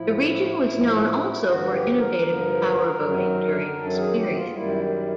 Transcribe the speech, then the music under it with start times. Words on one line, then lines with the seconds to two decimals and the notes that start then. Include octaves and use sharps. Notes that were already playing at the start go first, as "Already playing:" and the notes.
The region was known also for innovative power boating during this period.
Already playing: A2 F3 E4
0.68 A2 F3
1.45 G2 D3 F3 F#4
1.71 G4
1.97 A#4
2.23 G2 D3 F3
3.00 F#2 D#3 F#3
3.76 F#2 D#3 F#3 A4
3.96 G#4
4.15 G4
4.34 F4
4.54 F#2 D#3 G3 E4